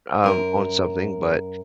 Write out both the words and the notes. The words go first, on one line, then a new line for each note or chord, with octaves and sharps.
um, on something, but,
F#2 A#4